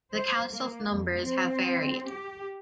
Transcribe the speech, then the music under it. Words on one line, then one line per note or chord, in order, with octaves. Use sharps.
The council's numbers have varied.
C5
A#3
F2
C4
G4